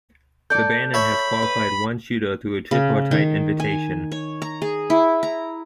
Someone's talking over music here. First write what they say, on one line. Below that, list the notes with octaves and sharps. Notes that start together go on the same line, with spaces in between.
Lebanon has qualified one shooter through a tripartite invitation.
A4 D5 G6
C#5 E5 B5
B4
C#3
D#3
G#5
C#5
A#5
G#4
E4
A#5